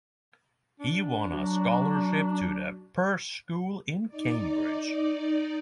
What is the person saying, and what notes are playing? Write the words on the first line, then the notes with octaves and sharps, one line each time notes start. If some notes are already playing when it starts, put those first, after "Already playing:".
He won a scholarship to The Perse School in Cambridge.
D4
F#3 F#4
D#4 D5